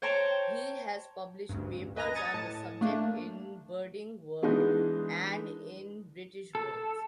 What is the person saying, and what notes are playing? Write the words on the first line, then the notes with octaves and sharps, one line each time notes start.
He has published papers on this subject in Birding World and in British Birds.
C5 C#5 G5 A5 A#5 C#6
A1 D2 G2
B4 D#5 G#5 A#5 A#6
D#6 G#6 A6 C#7 D#7
A2 A5
A3 A#3 D4
E3 G#3 B3 D4 D#4
A4